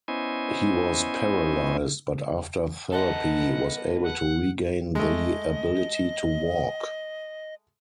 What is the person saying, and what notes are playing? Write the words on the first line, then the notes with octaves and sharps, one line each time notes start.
He was paralysed, but after therapy was able to regain the ability to walk.
B3 C#4 E4 C5 D#5 G#5
B3 A4 D#5 F#5
F#5
G#3 A3 D#5